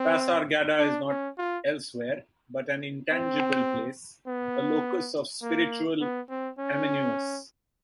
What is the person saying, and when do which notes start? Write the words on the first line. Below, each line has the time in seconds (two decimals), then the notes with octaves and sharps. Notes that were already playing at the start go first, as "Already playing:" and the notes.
Passargada is not elsewhere, but an intangible place, a locus of spiritual amenus.
Already playing: C4
0.79 D4
1.09 C#4
1.38 F4
3.11 C4
4.27 B3
5.42 A#3
6.01 B3
6.30 C4
6.58 C#4